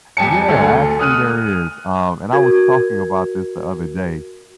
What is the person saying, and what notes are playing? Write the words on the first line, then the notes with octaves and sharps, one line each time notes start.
Yeah, actually, there is, um, and I was talking about this the other day,
F2 G4 G#5 A5 C#7
D2 A4 G#5
D#6 F6 F#6 D#7
F#4 A#4 G#6